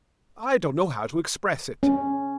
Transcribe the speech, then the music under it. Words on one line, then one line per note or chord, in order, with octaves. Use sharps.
I don't know how to express it.
C#4